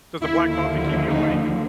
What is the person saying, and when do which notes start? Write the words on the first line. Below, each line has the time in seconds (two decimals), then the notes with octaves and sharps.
Does the black coffee keep you awake?
0.22 D#2 D3 F3 E4
0.50 E4
0.80 E4
1.08 D#4